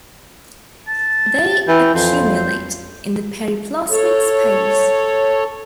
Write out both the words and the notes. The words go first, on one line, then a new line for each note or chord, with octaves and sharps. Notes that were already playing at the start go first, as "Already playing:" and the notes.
They accumulate in the periplasmic space.
A5
E3 G5
F2 C5
C5
A4 C#5